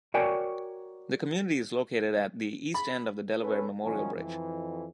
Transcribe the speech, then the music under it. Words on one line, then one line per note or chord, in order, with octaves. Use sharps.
The community is located at the east end of the Delaware Memorial Bridge.
F#4 A#4 C#5 D5 G5 G#5
B5
C#4 A4 B4
F#2 D#3 F3 C#4
F2 E3